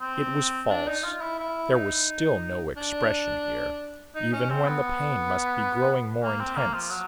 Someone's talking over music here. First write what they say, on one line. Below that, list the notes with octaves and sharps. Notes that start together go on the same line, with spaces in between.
It was false; there was still no expression here, even when the pain must be growing more intense.
C4
D4
D#4
F4
E4
E4
D#4
D4
D#4
C#4
C4
B3
A#3
C4
A#3
F3
F#3